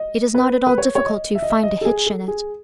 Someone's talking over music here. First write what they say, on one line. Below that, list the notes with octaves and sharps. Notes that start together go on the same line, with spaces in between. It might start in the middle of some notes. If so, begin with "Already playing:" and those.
It is not at all difficult to "find a hitch" in it.
Already playing: D#5
B4
B4
C#5
C#5
D#5
E5
D#5
E5
D#5
A4
G#4
A4
G#4